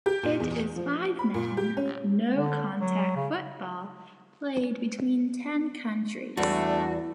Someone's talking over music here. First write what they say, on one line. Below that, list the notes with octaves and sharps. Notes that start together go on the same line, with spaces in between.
It is five man no contact football played between ten countries.
G4
A#2
E2
F3
B5
A#2
G4
C#4
D3
F#3
C#3
E2 G3 A3 D4 F#4 A4